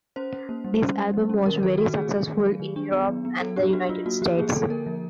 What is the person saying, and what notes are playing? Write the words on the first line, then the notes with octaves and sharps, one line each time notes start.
This album was very successful in Europe and the United States.
C#4 C5
C#4
A#3
G3
C#4
G3
G3
C#4
D#3 A#4
D#3 A4
D#3 F#4
A3 G#4
A3
D#3
F#3
D#3
D4
B3
F#3
B3
F#3 A4
D4 G4
D4 F#4
F#3 F4
A#3 F#4
F3 G4
A#3 G#4
D3 A4
A#3 A#4
F3